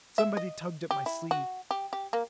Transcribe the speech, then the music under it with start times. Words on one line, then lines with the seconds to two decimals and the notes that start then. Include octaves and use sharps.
Somebody tugged at my sleeve.
0.18 E5
0.37 D#5
0.91 G4
1.06 E4
1.31 F#4
1.71 G4
1.93 G4
2.13 A#3